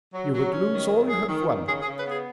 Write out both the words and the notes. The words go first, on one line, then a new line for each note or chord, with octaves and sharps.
You would lose all you have won.
F#3
F#3
C#4
D#3
F#2
D#3 G#4
D#3
D#3
C#3 G#4
G#4
C#3
B4
B3 G#4